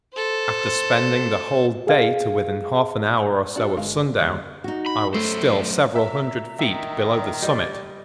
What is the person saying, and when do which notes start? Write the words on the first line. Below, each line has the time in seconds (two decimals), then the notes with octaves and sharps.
After spending the whole day to within half an hour or so of sundown, I was still several hundred feet below the summit.
0.13 A4 C5
1.87 G#4 F5
3.56 D4 F#4
3.77 G1 G#3 F5
4.19 D#2 G3 F#6
4.64 D#4 F#4
4.86 B5
5.14 F#2 A3 C5
5.95 E5 A#5
6.59 D#3 E5
7.42 G3 D5 D#5 G5